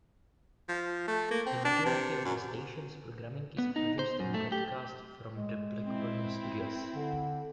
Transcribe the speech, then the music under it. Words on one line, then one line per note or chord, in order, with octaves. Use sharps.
The majority of the station's programming is produced and broadcast from the Blackburn studios.
F3
A3
A#3
C4
D4
C3
F#2
B3
D#4
C5
F#2
A3
G4
G#3
C4 E4
D3